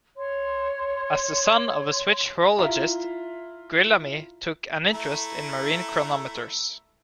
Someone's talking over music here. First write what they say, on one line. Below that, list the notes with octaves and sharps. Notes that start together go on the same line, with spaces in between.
As the son of a Swiss horologist Guillaume took an interest in marine chronometers.
C#5 C6
E4 F4 A#5
A3 E4 A#5